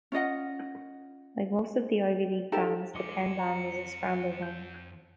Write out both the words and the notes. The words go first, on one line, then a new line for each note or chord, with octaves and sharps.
Like most of the Ivy League Bands, the Penn Band is a scramble band.
C#4 F4 D#5 F#5
D#4 G4 A4 A5
F2 F3 G#3 D#5 D6 C#7
A#5
G6